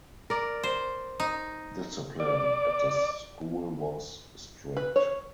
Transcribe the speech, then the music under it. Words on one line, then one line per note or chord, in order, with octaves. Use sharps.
Discipline at the school was strict.
A#4 D5
C5
D#4
D5
B4
C#5